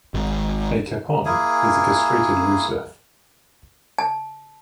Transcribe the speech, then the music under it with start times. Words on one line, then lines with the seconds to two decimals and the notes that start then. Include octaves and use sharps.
A capon is a castrated rooster.
0.14 G#1
1.25 A#3 E4 G#4 G#5
3.98 A5